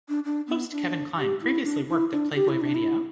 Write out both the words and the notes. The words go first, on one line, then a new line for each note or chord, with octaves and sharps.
Host Kevin Klein previously worked at Playboy Radio.
D4
D4
B3
D4
G4
E4
D4
E4
D4
G4
E4
D4
E4